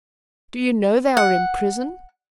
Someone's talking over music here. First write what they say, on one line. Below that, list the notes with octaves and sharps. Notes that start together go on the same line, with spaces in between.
"Do you know they are in prison?"
F#5